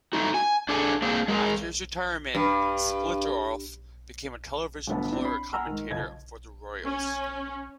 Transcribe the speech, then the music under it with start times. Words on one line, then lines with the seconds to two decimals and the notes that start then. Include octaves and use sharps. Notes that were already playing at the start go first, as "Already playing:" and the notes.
After his retirement, Splittorff became a television color commentator for the Royals.
0.13 A3 D#4 F#4
0.34 G#5
0.69 D4 G#4 A4 E5 G#5
1.02 A#3 C4 D4 G#4
1.28 G#3 G#4 A#4
2.35 G2
4.87 G1 A2 F#3 B3 B4 A5
5.12 C4 D4 E4
5.25 C#5 B5 C7
5.53 F#5 G#5 A#5 E6 F6
5.66 G#2 D#3
5.90 F#1 F3 D#5 G#6
6.84 C#4